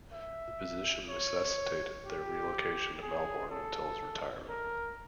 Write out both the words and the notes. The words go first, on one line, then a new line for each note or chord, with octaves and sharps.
The position necessitated their relocation to Melbourne until his retirement.
E5
C#5
G4
G#4
A4
A#4